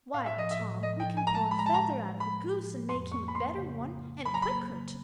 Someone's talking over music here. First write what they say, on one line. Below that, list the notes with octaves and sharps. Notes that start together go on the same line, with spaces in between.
"Why, Tom, we can pull a feather out of a goose and make him a better one; and quicker, too."
A2 F5
E5
F3 D#5
E5
A2
F3 D#5
G5
F3
G#5
G#3 A#5
A5
G#3 B5
A#5
A5
A2 A#5
F3
F3 B5
A2
F3
F2 C6
A#3 C#6
B5
A#3 C6
C#3
A#3
C#3
F#3 B5
A#5
B5
A#3
C#3